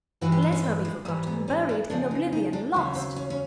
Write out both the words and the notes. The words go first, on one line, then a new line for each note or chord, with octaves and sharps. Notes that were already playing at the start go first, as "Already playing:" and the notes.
Let her be forgotten--buried in oblivion--lost!
G2 E3 G#3 F#4
G4
D4
C#4
C4
G#3
G#2 E3 G3 A3
B3
C#4
D4
D#2 C#3 F3 D4
D#4
D#4
D4
D#2 C#3 F#3
C4
C#4
C#4